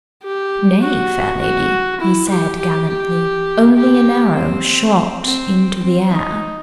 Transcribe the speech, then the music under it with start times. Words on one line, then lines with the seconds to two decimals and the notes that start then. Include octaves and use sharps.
"Nay, fair lady," he said gallantly, "only an arrow shot into the air."
0.23 G4
0.82 F#4
1.41 F#4
2.00 E4
2.29 G4
2.59 G4
2.89 G4
3.76 G4
4.35 C4
5.25 C4
5.83 C4
6.12 D#4